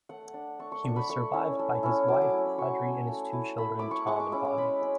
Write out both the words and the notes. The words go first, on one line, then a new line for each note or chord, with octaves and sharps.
He was survived by his wife, Audrey, and two children: Tom and Bonnie.
A3 F#5
D4
A3 C#6
C#6
D4 C#6
B5
A3 C#6
C#4 E4
A3
C#4 E4
F#3 D6
D6
C#4 E4
B5
F#3 C#6
C#4 E4
A3
E4
A3 B5
E4 D6
C#6
G#3 C#6
D6
C#4 E4 D6
D6
G#3 B5
C#4